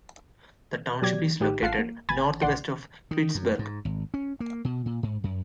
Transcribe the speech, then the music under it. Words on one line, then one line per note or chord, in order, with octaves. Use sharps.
The township is located northwest of Pittsburgh.
B2 F#3 G4 D5 G#6
A1 D#3 G4
A1 F4 F5 F#5 A5 C7
A#3
G#1 G#5 B5 G#6 A6
A#1 D5 F#5 C6
D#3
F#2
G#2
G#1
C#4
A#3
B2
A#2
G#2
F#2